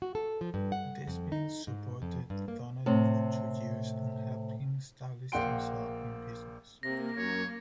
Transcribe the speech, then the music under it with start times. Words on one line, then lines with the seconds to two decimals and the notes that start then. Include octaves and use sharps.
Desvignes supported Thonet for two years and helped him establish himself in business.
0.02 F#4
0.15 A4
0.41 F3
0.54 G2
0.72 F#5
1.07 F2
1.32 D#4
1.67 G#2
2.02 F2
2.30 G2
2.48 A#3
2.86 A2 C3
5.32 A#1 A#3 F#5 G5 C6 D7
6.83 C3 A#3 A#6
7.17 F#2 C#5